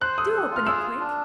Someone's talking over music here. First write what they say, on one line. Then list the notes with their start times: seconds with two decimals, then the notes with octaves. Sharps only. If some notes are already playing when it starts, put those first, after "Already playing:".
Do open it quick.
0.01 C5 F#6
0.18 A4 D#6
0.34 A4
0.51 F4
0.56 F6
0.67 G#4 E6
0.83 F4
1.00 D4